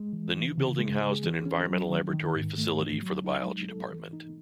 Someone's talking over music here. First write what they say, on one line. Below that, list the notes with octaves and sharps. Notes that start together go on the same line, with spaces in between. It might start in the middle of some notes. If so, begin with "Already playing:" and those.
The new building housed an environmental laboratory facility for the Biology Department.
Already playing: G#3
E3
E3
C#3
G#3
G#4
E3
C#4
F#3
D#3
D#3
G#2
A3
E3
F#3
D#4
G#3
A4
E3
D#4